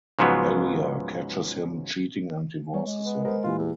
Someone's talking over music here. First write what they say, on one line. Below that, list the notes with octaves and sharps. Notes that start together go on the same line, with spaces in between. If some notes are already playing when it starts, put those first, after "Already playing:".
Alia catches him cheating and divorces him.
C#2 G#2 F3 F#3 B3
G3 C#5
G#3
B3
B3 A#4 C5
A#2 E3 G3 F4
E2